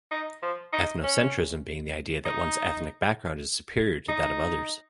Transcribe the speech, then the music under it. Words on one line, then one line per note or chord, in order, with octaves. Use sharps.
Ethnocentrism being the idea that one's ethnic background is superior to that of others.
D#4
F3
D#4
C#4
D#4
D#4